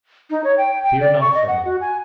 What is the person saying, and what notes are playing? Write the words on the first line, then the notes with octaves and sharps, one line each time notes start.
Fear not for me.
D#4
C#5
G5
G5
D5
C#6
D#5
F#5
F#4
G#5